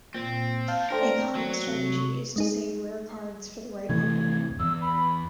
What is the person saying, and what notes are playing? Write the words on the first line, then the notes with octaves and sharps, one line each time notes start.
A common strategy is to save rare cards for the right moment.
A#2 C4
F5 A5 G6
A3 C4 D4 A#4
F#3
C3
G#3 D#4 G#4
C3 E3 A3 G#6
E2 E6
B5